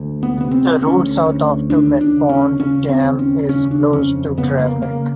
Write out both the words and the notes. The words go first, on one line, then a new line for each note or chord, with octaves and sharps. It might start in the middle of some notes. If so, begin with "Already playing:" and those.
The road south of Tumut Pond dam is closed to traffic.
Already playing: D2
B3
C3 B3
C4
D2 C#4
D2
D#2 D4
D4
C#3
C#4
C#3 C#4
C4
D#2
C#4
C#3 C#4
D4
F2 C#4
C#3 B3
A#3
C#3 A#3